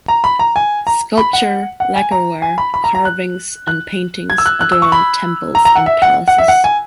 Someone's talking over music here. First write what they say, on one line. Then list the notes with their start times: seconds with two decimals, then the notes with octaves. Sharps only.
Sculpture, lacquerware, carvings, and paintings adorn temples and palaces.
0.08 A#5
0.24 B5
0.39 A#5
0.56 G#5
0.87 A#5
1.18 B5
1.33 F#5
1.80 F#5
1.96 G#5
2.12 A#5
2.42 G#5
2.58 B5
2.74 B5
2.84 A#5
2.95 A#5
3.05 F#6
3.68 F#6
4.30 G#6
4.38 E6
4.46 F#6
4.61 F#6
4.72 E6
4.82 C#6
4.92 B5
5.55 A#5
5.65 A#5
5.75 F#5
5.86 E5
6.02 F#5
6.28 F#5
6.38 E5
6.48 F#5
6.64 G#5